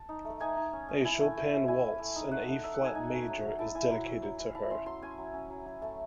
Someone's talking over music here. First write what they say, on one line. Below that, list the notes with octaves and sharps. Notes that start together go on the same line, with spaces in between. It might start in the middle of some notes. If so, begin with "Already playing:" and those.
A Chopin Waltz in A-flat major is dedicated to her.
Already playing: A5
D#4
A3
D#4 G#5
D#4
C#4
C#4
E4 G#5
A3
A3
C#4
E4 G#5
E4
A3
D#4
A3 F#5
A3
D#4 E5
F#5
D#4 G#5
D#4 G#5
A3
F#3
F#3
E4 A5
E4 G#5
F#3
F#3
F#3
E4
E4 A5
C#4 C6
F#3 C6
C#4 G#5
F#3
C#4
F#3
F#3
A3 A5